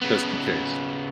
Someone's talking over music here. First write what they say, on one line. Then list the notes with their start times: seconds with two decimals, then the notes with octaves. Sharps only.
just in case.
0.02 C#3 B3